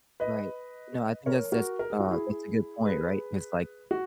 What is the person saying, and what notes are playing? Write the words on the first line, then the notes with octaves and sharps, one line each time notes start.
Right, no, I think that's that's, uh, that's a good point, right? It's like,
B4 D#5
A#4 C#5
F#4 A#4
A#4
G#4
F#4
E4 G#4
G#4 B4
F#4